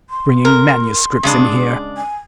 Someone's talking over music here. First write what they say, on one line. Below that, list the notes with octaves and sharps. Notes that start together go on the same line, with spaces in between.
Bringing manuscripts in here!
C6
A#4
C#3 G#3 D4
G#5